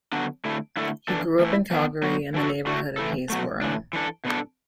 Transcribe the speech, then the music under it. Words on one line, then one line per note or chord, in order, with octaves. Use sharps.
He grew up in Calgary in the neighbourhood of Haysboro.
D3 F#3 B3 D4
D3 A3 E4
D3 A3 E4 A4
E3 D4 A4
E3 A3 E4
E3 B3 D4
F#3 B3 F#4
E3 D4 F#4 A4
A2 A3 F#4
A2 E3 A3 E4 A4
B2 F#3 A3
A2 E3 D4
E3 D4 A4
B2 B3 D4 A4